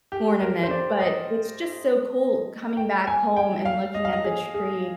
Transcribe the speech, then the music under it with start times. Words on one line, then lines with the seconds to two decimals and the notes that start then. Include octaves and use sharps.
ornament. But it's just so cool coming back home and looking at the tree,
0.12 G4
0.42 A#4
0.63 C5
0.71 D5
1.01 D#5
2.77 G5
3.07 G#5
3.36 G5
3.65 F5
3.95 D#5
4.05 F5
4.13 D#5
4.24 G#4
4.54 G#4